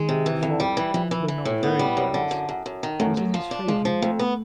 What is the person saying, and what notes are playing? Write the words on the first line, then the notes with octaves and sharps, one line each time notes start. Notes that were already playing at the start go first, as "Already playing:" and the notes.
The fog, though not very dense, was in his favour.
Already playing: D#3 G#3
C3
E3
F2
G3
E3
E3 F3
E3
E3
A2
B3
G3
F#2
D3
F#2
F#2
F#2
D#3
F#2 A3
F#2
F3
D4
F3 G#3
F3
F2 A3
B3